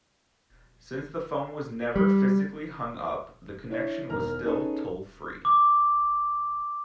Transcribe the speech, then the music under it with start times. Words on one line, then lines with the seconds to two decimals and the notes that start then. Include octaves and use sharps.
Since the phone was never physically hung up, the connection was still toll-free.
1.96 G3
3.70 D4 E4 C#5
4.10 E1 D#3 A#5 F6
4.45 C#4 D#4 G#4 A4 B4
5.45 D6